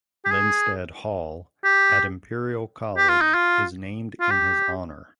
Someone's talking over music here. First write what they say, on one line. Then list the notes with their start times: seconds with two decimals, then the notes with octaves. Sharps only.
"Linstead Hall" at Imperial College is named in his honour.
0.25 G4
0.31 G#4
1.64 G4
2.97 G4
3.08 F4
3.21 D#4
3.34 F4
4.20 F4
4.30 G4